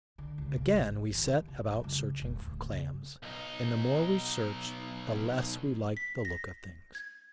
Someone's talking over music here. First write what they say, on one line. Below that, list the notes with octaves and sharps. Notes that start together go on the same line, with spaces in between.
Again we set about searching for claims, and the more we searched the less we liked the look of things.
D3
C#2
C#3
G#1
D#2
C3
F#2
C#2
E1
D1
C#3
B1 D#4
B6
A#6
G#6